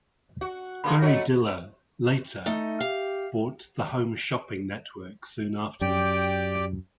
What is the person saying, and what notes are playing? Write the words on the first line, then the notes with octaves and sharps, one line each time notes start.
Barry Diller later bought the Home Shopping Network soon afterwards.
F#4
D3 A#3 G#4 B5
F#3 A3 F#4 C#5 D#5
A3 D#4
G4 F5
F#2 G4 D5 G5